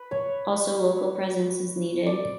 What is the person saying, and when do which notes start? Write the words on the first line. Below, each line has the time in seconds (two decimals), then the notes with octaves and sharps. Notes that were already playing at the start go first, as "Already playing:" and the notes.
Also, local presence is needed.
Already playing: B4
0.11 C#5
2.06 D5